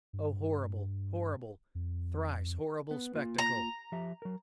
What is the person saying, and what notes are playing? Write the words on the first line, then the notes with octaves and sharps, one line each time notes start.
Oh, horrible, horrible, thrice horrible spectacle!
G2
F2
B3 B4
A#3 F4
A#5
F3 G4 E5
F#3 A#4